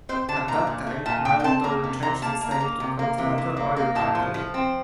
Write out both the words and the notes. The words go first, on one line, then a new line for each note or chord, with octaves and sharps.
At that time, Marland Oil changed its name to Continental Oil Company.
C4 C5
D3 A5
A#2 A#5
A#2
A3
A#2 A5
A#2 G5
G5
C4 A5
A#3 A#5
C3
C3 A#5
A#3 A5
A#3
A#5
A#3
C3
A#3
C3
C3
A#3
A#3
A2 A5
F3
F3
C4